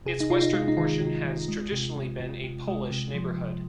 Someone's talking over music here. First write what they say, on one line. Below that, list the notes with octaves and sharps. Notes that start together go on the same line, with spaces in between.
Its western portion has traditionally been a Polish neighborhood.
C3 G#4
D#4
C3 F4
D#4
G#3 F4
D#4
D#3 F4
C3
D#3
G#3
C3
C3
C3
C3
G#3
C3
F3
C3